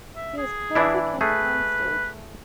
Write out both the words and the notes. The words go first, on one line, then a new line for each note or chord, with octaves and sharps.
He has played the king on stage.
E5
G#4
E3 D4 E4
A3 G#4 B4